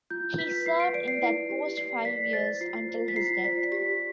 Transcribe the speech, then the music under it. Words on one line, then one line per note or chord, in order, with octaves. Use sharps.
He served in that post five years, until his death.
F4 G6
B4 B6
B4 C7
D7
D5 D7
C7
E4
G4
D5 C7
D5 B6
C5 A6
F4 C7
C5
B6
F4 C7
D5 B6
G4 B6